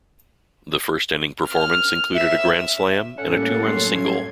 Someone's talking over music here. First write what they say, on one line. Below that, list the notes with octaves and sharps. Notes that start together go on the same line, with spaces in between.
That first inning performance included a grand slam and a two-run single.
F6
E5
A2 G3 A#3 C#4 A4 F#5
F#2 C6 G#6